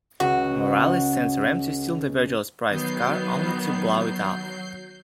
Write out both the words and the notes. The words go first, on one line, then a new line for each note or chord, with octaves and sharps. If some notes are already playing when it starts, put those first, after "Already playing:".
Morales sends Ram to steal the Virgillo's prized car, only to blow it up.
C#2 F#4
D#3 F#3 B3 G6 C7